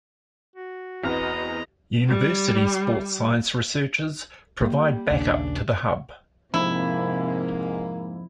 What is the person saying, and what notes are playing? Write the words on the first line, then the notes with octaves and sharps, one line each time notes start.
University sports science researchers provide back-up to the hub.
F#4
E2 B3 C4 B4 D#5 A#5 F6
G3
G3 A#3
A#1 D#2 C#3 D4
F2 G#2 C3 A#3 E4